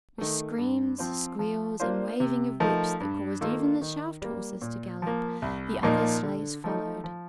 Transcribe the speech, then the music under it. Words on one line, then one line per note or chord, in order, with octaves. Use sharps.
With screams squeals, and waving of whips that caused even the shaft horses to gallop--the other sleighs followed.
D#3 A3
G2
F3 C4 F4 C5
F3
A#3 D4 F4 C5
C3
F3 A3 D#4 A#4
G2
D#3 A#3 F4 A4
D#3
G3 A#3
A#2
F3 A#3
C2
A#2 F3 A#3 D#4
D3
F3 A3 D#4
F3